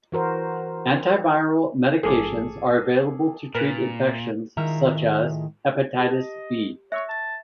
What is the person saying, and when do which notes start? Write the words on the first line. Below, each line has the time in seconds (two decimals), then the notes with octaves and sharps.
Anti-viral medications are available to treat infections such as hepatitis B.
0.12 E3 F#4 A#4 C5
2.03 A1 G#2 F3 G#4 A4 D6
3.55 A#2 A#4 B4
4.57 A2 D#3 G#3 F4 E5 A#5
6.00 G4 D#5 A5 G7
6.92 C#5 E5 C#6 E6 F#6
7.09 A5